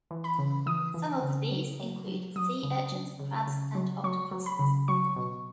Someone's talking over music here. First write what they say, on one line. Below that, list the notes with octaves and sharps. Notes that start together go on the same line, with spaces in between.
Some of these include sea urchins, crabs and octopuses.
E3
B5
C#3
E3 D#6
E3
C#3
F#3
F#3
F#3
F#3 D#6
C#3
F#3
C#3
C#3
F#3
F#3 C#6
F#3
B5
C#3
F#3 C#6
B2